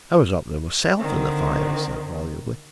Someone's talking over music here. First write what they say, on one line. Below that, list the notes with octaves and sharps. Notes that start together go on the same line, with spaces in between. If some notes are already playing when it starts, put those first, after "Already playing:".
"I was up there myself at the fire," he said volubly.
D3 D#3 C4